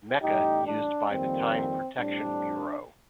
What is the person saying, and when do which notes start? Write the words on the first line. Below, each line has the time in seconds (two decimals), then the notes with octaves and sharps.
Mecha used by the Time Protection Bureau.
0.21 A1 A2 G3 D#4 G4
0.66 D4
1.09 F2 D#3 G3 A#3 C4
1.97 A2 G3 C4 D4